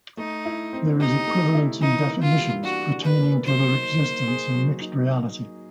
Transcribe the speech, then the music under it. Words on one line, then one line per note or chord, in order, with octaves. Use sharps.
There is equivalence in definitions pertaining to their existence in mixed reality.
A3 D#4
E4
C4
D#4 G4
A3
E4
E3 D#4
A#3
F4
G3
D4 F#4
E3
B4
A#3
F#3 C5
D#4
A#3
G#4
F#3
D#4